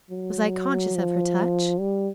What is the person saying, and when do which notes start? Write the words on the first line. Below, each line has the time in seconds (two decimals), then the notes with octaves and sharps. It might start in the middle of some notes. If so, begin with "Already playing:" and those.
Was I conscious of her touch?
0.11 F#3
0.95 F3
1.80 G3